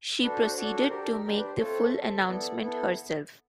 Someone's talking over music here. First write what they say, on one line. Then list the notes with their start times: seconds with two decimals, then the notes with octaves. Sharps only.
She proceeded to make the full announcement herself.
0.22 D4 F#4 A4 B4
0.33 C5
0.45 C5
0.55 D4 F#4 A4 C#5
0.64 D5
0.73 C#5
0.81 C5
0.90 D4 G4 A#4
1.01 A4
1.13 A#4
1.24 G4 A#4
1.27 D4
1.36 B4
1.46 C5
1.58 A3 C4 F4 A4 C#5
1.92 A3 C4 F4 A4
2.26 B3 E4 A4 D5
2.60 B3 E4 A4